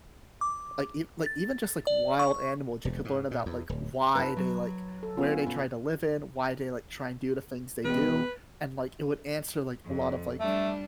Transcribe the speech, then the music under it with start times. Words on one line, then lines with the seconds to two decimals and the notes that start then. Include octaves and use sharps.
like e like even, just, like, wild animals, you could learn about, like, why they like where they try to live in, why they like try and do the things they do and, like, it would answer, like, a lot of, like
0.41 D6
1.26 A6
1.87 D5
2.19 C#6
2.85 E1
3.05 G#2
3.31 A#2
3.46 E2
3.69 D1
4.15 D#4 F4 A4 B4
4.37 F#3
5.03 A4
5.17 B3 C#4 F4
5.46 B2
7.85 E2 B2 B4
9.85 F2
10.40 G3 A3 D4